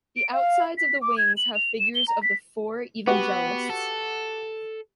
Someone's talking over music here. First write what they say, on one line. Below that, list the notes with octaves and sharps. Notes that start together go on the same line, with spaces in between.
The outsides of the wings have figures of the Four Evangelists.
D7
F5
B6
D6
G#6
F#7
F7
E7
G7
A#5
B6
B3 F#4 G4 B4
A4